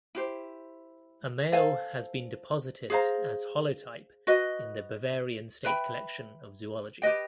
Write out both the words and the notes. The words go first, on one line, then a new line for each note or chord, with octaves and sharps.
A male has been deposited as holotype in the Bavarian State Collection of Zoology.
E4 G4 C5
A4 C5 F5 G#5
G#4 C5 F5 A#5
F#4 B4 D#5
B4 E5 G5 B5
G4 B4 D#5 G5